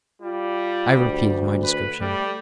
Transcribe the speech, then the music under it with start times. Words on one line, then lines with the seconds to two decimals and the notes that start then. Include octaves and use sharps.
I repeated my description.
0.22 G3 F4
0.96 D2
1.63 B4
2.00 G3 A3